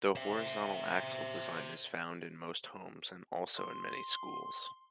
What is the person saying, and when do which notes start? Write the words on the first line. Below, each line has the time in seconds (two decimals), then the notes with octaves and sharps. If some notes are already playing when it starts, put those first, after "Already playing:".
The horizontal axle design is found in most homes, and also in many schools.
0.16 C5 E5
3.57 C6